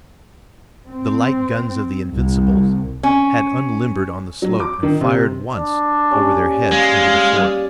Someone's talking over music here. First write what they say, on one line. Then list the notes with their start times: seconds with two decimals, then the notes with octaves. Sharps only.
The light guns of the Invincibles had unlimbered on the slope, and fired once over their heads into the fort.
0.88 C4
2.13 C2
3.03 C#4
4.42 F#3
4.60 D6
4.83 D#3
5.01 C3
5.53 D4
6.11 A#3 C#4 G4 D5
6.72 G#3 F5